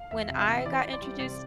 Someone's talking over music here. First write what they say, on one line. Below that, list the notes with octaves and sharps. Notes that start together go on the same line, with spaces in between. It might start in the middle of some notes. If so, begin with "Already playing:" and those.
when I got introduced
Already playing: F5
E2 E5
C3
E5
E3
E3 D5
C5
E3 D5
D5
G3
C3 D5